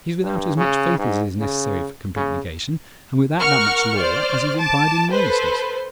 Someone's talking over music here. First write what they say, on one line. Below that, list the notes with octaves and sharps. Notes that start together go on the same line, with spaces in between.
He's without as much faith as is necessary for complete negation, and without that much law as is implied in lawlessness.
G2
C#3
G#2
C#3
C#3
A#4 F#5 C#6 F6
C5 D5 F6
A5 D6
A4 B4 C5